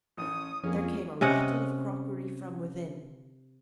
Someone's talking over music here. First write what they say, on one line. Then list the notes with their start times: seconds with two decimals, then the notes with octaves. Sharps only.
There came a rattle of crockery from within.
0.17 A1 C#4 D#6
0.64 F2 F3 A#3 C#4 F4 G#4
1.21 C3 C#4 D#5 F#5